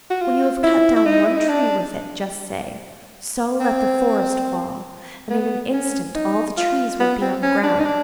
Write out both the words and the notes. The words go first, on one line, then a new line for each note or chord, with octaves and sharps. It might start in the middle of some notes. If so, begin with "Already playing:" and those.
When you have cut down one tree with it just say: "So let the forest fall," and in an instant all the trees will be on the ground.
F#4
F4
E4
E4
D#4
E4
D#4
D4
C4
B3
C#4
D#4
F4
B3
C4
C#4
D4
D#4
D4